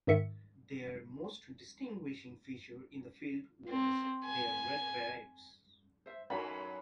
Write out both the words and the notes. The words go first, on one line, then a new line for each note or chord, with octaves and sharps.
Their most distinguishing feature in the field was their red berets.
G#2 D#3 E5 C#7
C4
G#5
C5 E5
F#2 A2 F#3 D#4 F#4 A#5 B5